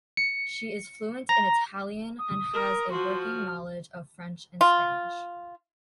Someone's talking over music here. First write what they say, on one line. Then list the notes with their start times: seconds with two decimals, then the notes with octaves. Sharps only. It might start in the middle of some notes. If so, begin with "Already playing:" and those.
She is fluent in Italian and has a working knowledge of French and Spanish.
0.17 C#7
1.29 A#5
2.19 D#6
2.54 A#4
2.91 F3 F#4 C6
3.22 F6
4.61 F4